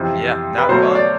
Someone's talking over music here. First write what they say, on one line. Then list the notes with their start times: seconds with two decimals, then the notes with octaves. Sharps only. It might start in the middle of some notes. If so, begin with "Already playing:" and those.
Yeah, not fun.
Already playing: F2 C3 E3 C5
0.58 B4
0.69 B2 F#3 A3 C5
0.83 C#5
0.95 D5